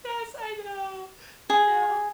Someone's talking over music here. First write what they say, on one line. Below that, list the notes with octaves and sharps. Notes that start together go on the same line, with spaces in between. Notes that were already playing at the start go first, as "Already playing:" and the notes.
Yes, I know, I know.
G#4